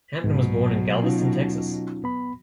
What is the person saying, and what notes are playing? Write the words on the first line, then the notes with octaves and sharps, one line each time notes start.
Hampton was born in Galveston, Texas.
C2 G#2 B2 F#3
C#4 D#4 F4
B3 B5